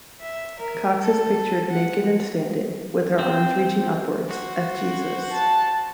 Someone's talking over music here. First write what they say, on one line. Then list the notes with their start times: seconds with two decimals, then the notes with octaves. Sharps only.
Cox is pictured naked and standing, with her arms reaching upwards, as Jesus.
0.20 E5
0.59 A#4
1.02 A4
1.71 F#5
3.19 C4
4.27 F#4 C5
5.32 A5